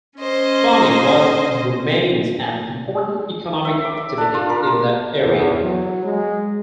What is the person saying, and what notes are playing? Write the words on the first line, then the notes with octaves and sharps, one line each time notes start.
Farming was, and remains, an important economic activity in the area.
C#4 C5 D#5
E5
D6
E5
D4
F4
A#4
E2
F#3
G#3